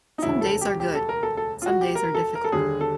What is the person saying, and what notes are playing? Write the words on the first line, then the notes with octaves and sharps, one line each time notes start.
Some days are good, somedays are difficult.
D#4
E1 D2 C#3 F#3 E4
A4
G4
G4
A4
A#4
A4
A4
F4
F#4
G4
A#4
A4
A#4
A4
D#2 D3 G3 G#4
A4